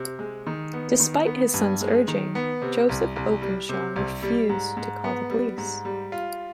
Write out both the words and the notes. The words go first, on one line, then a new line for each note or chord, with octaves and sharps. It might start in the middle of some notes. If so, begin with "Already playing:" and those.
Despite his son's urging, Joseph Openshaw refused to call the police.
Already playing: C3
G#3
D#3
B3
D#3
B3
G2
G#3
D#3
B3
C3
C2
C2
G3
C3
C2
G3
G#2
G#2
B3
G3
G#2
G3
F4